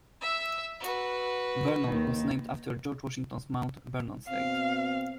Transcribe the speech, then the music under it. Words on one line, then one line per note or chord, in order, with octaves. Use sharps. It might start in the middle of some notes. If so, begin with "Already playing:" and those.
Vernon was named after George Washington's Mount Vernon estate.
E5 E6
F#4 B4
D#2 D#3
B2 C4 F5